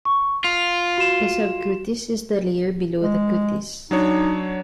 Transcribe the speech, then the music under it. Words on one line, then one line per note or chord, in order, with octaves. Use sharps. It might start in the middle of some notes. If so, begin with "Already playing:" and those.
The subcutis is the layer below the cutis.
C#6
F4 F7
F#4 E7
G#3
F#3 D4 D#4 C#5